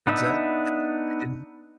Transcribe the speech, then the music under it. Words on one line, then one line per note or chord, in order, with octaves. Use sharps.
Exactly and like, I didn't
B3 D4 D#4 E5